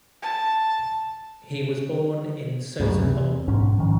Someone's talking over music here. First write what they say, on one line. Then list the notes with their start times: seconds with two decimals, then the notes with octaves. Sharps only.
He was born in Sozopol.
0.22 A5
2.80 C#2 F#2 A2
2.99 E2 C3
3.47 B1 G#2 C#4
3.78 G#2 D#3 F3